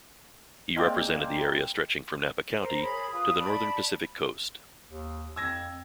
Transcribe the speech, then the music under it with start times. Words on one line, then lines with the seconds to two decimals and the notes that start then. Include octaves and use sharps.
He represented the area stretching from Napa County to the northern Pacific coast.
0.76 G#3 A#3 C4 D5
2.58 A#4 C5
2.81 G#4 A#4 C#5 B5
3.12 F4 B4 D#6
3.37 D5 A5 B5
4.91 D#2
5.36 F2 E6 G#6 A#6